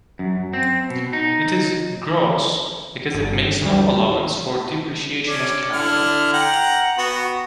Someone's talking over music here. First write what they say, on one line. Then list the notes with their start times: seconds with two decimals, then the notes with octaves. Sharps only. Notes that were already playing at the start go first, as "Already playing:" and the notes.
It is "gross" because it makes no allowance for depreciation of capital.
0.19 F#2
0.53 C4
0.90 B2
1.13 D#4
3.14 G1
3.62 D2 G3
5.27 C#4 D4 D6
5.72 D3 E4 F6
6.33 F#5 G5 A#5
6.98 B3 F#4